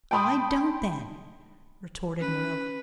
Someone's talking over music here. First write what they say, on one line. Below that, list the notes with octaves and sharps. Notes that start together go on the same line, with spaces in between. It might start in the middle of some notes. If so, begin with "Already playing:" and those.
"I don't then," retorted Marilla.
G5 A5 B5 C6 D#6
C#4 B4